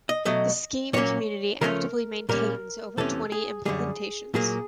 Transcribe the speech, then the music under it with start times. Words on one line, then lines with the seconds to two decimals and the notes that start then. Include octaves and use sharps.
The Scheme community actively maintains over twenty implementations.
0.09 D#5
0.25 B2 F#3 A3 D#5
0.93 A#2 F#3 A#3 C#4 C#5
1.61 C#3 F3 A3 C#4 A#4
2.29 A#2 G3 A#3 C#4 A#4
2.97 E2 C3 E3 A3 C#4 A4
3.32 G#4
3.65 F#2 D3 G3 G#4
4.34 A#2 F#3 A#3 G#4